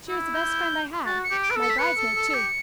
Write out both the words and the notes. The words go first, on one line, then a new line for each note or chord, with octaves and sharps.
She was the best friend I had,--my bridesmaid, too.
E4
G6
F#4 A6
C#7
G4
D7
B4
A4
C#7
B6
B4 C#7
A4
A4
A4
G4